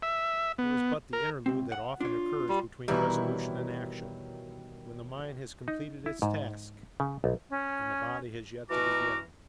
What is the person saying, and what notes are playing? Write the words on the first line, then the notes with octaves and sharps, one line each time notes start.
It was but the interlude that often occurs between resolution and action; when the mind has completed its task, and the body has yet to begin.
E5
B3
A#4
C#2 C4
F#5
D4 F4 C#5
G3
B2 D#3 E3 F#3 G3 E4
D#4
E4
G#2
C#3
B1
C#4
B2 E3 F#4 A#4 A#5 D6